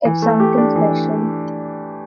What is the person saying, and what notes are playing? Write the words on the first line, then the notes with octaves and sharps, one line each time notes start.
It's something special.
E3
A3
G4
D4
E3